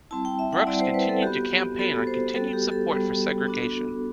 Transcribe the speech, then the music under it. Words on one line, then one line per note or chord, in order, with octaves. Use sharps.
Brooks continued to campaign on continued support for segregation.
G3 C4 E4 A5
G5
E5
F#5
G3 C4 E4 D5
C5
B4
A4
B3 F#4 G4
B3 F#4 A4
C5
G3 B3 F#4 A4
G4
A4
G3 B3 F#4
B3 D4 F#4